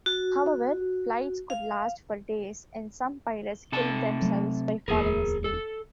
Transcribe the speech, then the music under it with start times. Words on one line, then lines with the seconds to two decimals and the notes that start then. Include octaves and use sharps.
However, flights could last for days and some pilots killed themselves by falling asleep.
0.06 F#4
1.50 F5
3.72 C3 A4 A5
4.22 F#3 A3
4.88 D1 E2 A#3 G#4 A#4
5.44 A4